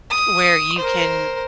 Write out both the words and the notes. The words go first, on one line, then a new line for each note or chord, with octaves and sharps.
where you can
D#6
A#4 C5